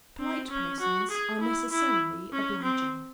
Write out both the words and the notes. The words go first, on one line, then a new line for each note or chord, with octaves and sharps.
Polite persons are necessarily obliging.
C4
C#4
F#4
G#4
E4
E4
C#4
C4